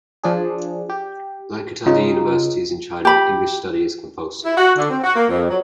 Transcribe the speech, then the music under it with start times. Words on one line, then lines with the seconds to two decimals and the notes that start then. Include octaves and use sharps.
Like at other universities in China, English study is compulsory.
0.23 F3 D4 G#4
0.89 G4
1.86 C#3 D#4 F4
3.05 G4 B5
4.44 E4
4.58 F#4
4.76 D3
4.89 C4
5.03 F#4
5.16 A#3
5.28 F2
5.48 F#3